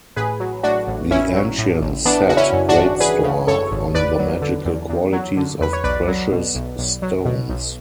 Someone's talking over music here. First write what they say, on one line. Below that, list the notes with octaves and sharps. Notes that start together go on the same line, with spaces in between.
The ancients set great store on the magical qualities of precious stones.
A1 G#4 B4
F#3
A2 D4 F#4
A1
A1 C#4 E4
F#3
A2
A1
E3 B3 D4
C#3 F#4
C#4 E4
F#2
D4 F#4
G#1
E3 G#4 B4
C#3
F#2 A4 C#5
G#1
E2 B4 D5
F#3
D3
E2
E2
F#3
D3
E2 B4
C#5
B1 B4 D5
F#3
B2
B1
B1
F#3
B2
B1